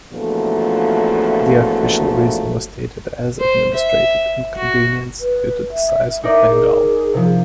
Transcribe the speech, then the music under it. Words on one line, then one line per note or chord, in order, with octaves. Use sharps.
The official reason was stated as administrative inconvenience due to the size of Bengal.
E2 A#2 D3 F3 F#3 A3
C5
E5
F#4
B4
E5
D#4 A#4 D5 E5
G#4
C3 F3